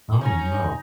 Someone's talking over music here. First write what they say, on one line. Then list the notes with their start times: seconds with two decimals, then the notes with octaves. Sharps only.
Oh, no.
0.21 C#4 D#4 G#5 A#5